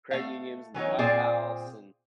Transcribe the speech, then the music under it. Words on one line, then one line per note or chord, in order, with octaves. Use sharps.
credit unions and the White House, and
A3 F5
E3 F#3 C#4 D#4
A#2 C4 G#4 C5 D5